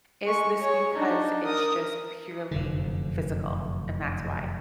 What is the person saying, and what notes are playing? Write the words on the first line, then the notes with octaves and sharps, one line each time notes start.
"Is this because it's just purely physical?" And that's why
G#3 C#6
G#4 C#5
D4 D#4
A#4 D#6
F1 F#2 D3